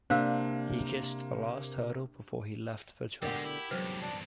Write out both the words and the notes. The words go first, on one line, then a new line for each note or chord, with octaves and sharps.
He kissed the last hurdle before he left the track.
C3 A#3 D4 C5 F5 E6
G#2 B2 D3 G#3 A3 G4 A#4 F#5
E4 G4
E2 G2 C3 F#3 G#3 B4 C5
D4